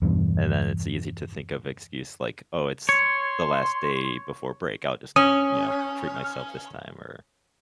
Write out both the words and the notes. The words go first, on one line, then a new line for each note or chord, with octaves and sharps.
And then it's easy to think of excuse like, "Oh, it's the last day before break. I'll just, you know, treat myself this time," or,
E2 G2 B2
C#5 C6
C#4 D#6